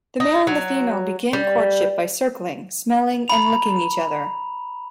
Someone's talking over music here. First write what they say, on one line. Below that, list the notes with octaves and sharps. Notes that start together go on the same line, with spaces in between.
The male and the female begin courtship by circling, smelling and licking each other.
D#4
F#3
G3
A#5 B5 F7